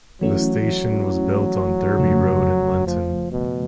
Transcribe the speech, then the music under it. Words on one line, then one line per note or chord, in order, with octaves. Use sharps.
The station was built on Derby Road in Lenton.
E3 F#3 A3 C#4 E4
F2 C#3 F3 A3
F3
B2